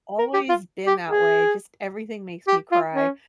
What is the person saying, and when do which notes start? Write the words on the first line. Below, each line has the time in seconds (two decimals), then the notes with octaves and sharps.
always been that way. Just everything makes me cry.
0.19 A#4
0.34 G4
0.49 F4
0.87 G4
1.10 G#4
2.48 G4
2.72 F4
2.94 C#4